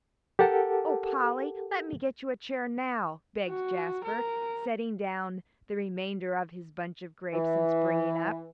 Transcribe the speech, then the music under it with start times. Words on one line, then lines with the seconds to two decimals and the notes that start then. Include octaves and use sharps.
"Oh, Polly, let me get you a chair now," begged Jasper, setting down the remainder of his bunch of grapes, and springing up.
0.39 G4 A4 A#4 F#5 A5
3.48 F#4
4.04 A#4
7.33 E3